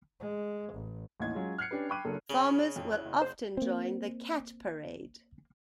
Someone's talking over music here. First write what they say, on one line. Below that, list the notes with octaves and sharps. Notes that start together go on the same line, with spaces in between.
Farmers will often join the "Cat Parade".
G#3
A1
A1 D#2 A2 E3 D#5 G#6
F#3 G#3 C#4 F4
F6 F#6 G#6 C7 C#7
C#4 D4 G4 B4
G5 B5 C#6 D6 F#6 D#7
F#1 F#2 D4 A4 A#4
C#3
F2
E4 F#6
F#1
C5
A#3 C4